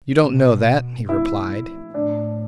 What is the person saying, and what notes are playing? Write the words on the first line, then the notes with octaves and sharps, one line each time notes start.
"You don't know that," he replied.
B2
E4
A2 D4